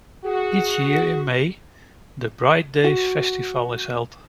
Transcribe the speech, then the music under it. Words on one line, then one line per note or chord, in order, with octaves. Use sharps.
Each year in May, the Bright Days festival is held.
F#4 G#4
F#4